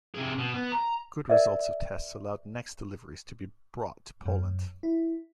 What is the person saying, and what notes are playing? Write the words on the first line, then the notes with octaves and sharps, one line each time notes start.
Good results of tests allowed next deliveries to be brought to Poland.
C3 G#4
B2
B3
A#5
A#4 D5 E5
F#2
E4